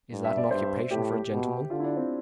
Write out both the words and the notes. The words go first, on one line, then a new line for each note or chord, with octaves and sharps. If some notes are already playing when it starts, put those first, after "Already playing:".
Is that an occupation for a gentleman?
G2
E5
D5
G2 C5
A2 G4
B2
D3 F4
E4
D4
C4